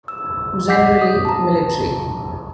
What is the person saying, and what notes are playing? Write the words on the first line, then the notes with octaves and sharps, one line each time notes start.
Generally military.
E6
D#5 F#5 D6 G6 B6 C7
D#6
A5 A#5